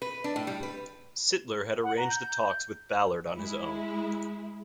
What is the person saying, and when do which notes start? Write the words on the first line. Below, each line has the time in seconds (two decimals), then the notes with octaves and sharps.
Sittler had arranged the talks with Ballard on his own.
0.02 B4
0.24 D4
0.36 A2
0.47 G3
0.63 B4
1.84 F#5
1.97 A#5
2.10 G6
3.34 G#3 E4